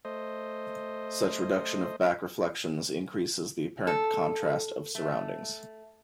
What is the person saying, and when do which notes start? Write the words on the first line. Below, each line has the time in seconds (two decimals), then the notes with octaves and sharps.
Such reduction of back reflections increases the apparent contrast of surroundings.
0.05 A3 C5 D#5
3.87 A4
4.95 A3